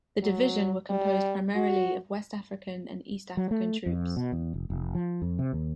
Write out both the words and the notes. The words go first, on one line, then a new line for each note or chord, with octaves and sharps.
The division were composed primarily of West African and East African troops.
F#3
G3
F#4
F#3
A3
F2
B2
E2
F1
F1
F3
F2
C3
D#2